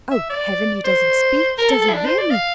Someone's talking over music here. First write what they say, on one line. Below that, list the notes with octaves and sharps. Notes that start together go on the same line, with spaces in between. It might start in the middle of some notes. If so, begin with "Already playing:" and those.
Oh, Heaven! he doesn't speak--he doesn't hear me!
E5
D5
C5
A#4
A4
A4
E4
D4
C5
D5
F5